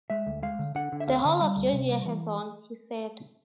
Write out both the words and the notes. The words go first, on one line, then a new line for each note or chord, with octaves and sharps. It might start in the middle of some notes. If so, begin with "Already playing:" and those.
"The whole of Georgia has won," he said.
G#3 E5
D2
G#3 F5
D3
D3 F#5
D3
E5
D2 F5
D3
G3
D2
C3
G3
E3